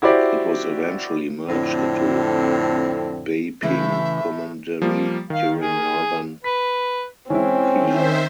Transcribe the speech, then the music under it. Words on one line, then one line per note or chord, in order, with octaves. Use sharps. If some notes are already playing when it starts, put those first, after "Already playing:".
It was eventually merged into Beiping Commandery during Northern Qi.
E4 F#4 G4 C5 D5 E5
F2 A2 D3 C4
A2 C#3 E3 A3 E5
F3 G3 A#3
D#3 F5
G#4
B4 B6
E3 G#3 C4 C#4 E4
D#3 C5 E5